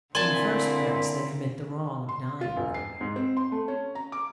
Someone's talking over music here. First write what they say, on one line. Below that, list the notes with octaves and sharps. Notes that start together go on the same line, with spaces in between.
"In the first place, they commit the wrong of dying, Colbert."
A#2 D3 C4 E4 G#5 A5 C6
C6
F4
E1
C7
G#2
C4
C6
A3
C#4
A#5
D6